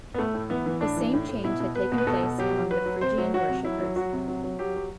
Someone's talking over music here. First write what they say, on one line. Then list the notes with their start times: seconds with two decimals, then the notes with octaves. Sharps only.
The same change had taken place among the Phrygian worshipers.
0.14 B3
0.18 A2 A3
0.34 A2
0.50 E3 B3
0.66 E3
0.81 A2 D4
0.97 E3
1.13 A2
1.29 A2
1.44 B2 E4
1.60 B2
1.75 B2 B4
1.92 B2
1.98 B4
2.07 B2 A4
2.23 B2
2.38 F#3 G4
2.54 F#3
2.70 F#3 B4
2.86 F#3
3.01 C3 C5
3.18 F#3
3.34 F#3 F#4
3.49 C3
3.65 F#3 E4
3.80 F#3
3.96 F#3 F#4
4.13 C3
4.28 F#3
4.44 F#3
4.59 F#3 G4
4.76 F#3